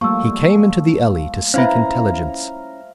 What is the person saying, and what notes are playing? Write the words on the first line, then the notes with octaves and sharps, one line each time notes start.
He came into the alley to seek intelligence.
F3 G3 A3 A#3 C#6 E6
C#4 E4 B4 C5 E5 F5 A#5